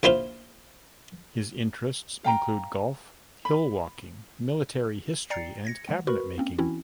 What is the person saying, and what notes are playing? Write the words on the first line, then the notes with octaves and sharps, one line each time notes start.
His interests include golf, hill walking, military history and cabinet making.
A#1 E4 F4 C5 F5
F5 G5 A#5
B5
D5 G5 A#5 A6 C7 C#7
G#6 A#6 C#7
F3 G#3 F#5
F#4 A#4 B4 B5 C#6
A#3 C4 C#4
E3 C4 C#4 E4 F#4